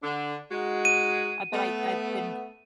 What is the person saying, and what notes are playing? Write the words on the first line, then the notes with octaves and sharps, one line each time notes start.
uh, but I I've been
D3 D4
G#3 D#4 F#4
D#7
A3 B3